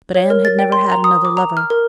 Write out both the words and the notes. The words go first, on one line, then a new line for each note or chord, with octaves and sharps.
But Anne had never had another lover.
C#5
A#4
A6
G5
C6
A#5
D#6
D6
A#5
F6
A#4